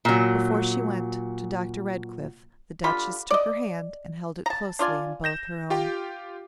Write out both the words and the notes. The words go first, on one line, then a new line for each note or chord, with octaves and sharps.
Before she went to Dr. Redcliff the Duchess took her hand and held it closely in both her own.
A#2 F#3
D3 G3 F4 B5
D5 D#5
A5 A#5
D4 F4 D5 G#5
G6 A#6 E7
F4 G4 G5